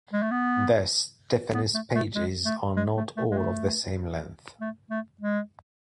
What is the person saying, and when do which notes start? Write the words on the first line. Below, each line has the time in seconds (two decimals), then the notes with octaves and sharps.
Thus Stephanus pages are not all of the same length.
0.13 G#3
0.22 A3
0.31 B3
1.54 B3
1.74 A3
1.95 A3
2.15 G#3
2.45 A3
2.76 G#3
2.97 A3
3.17 A3
3.31 G#3
3.38 A3
4.60 A3
4.90 A3
5.21 G#3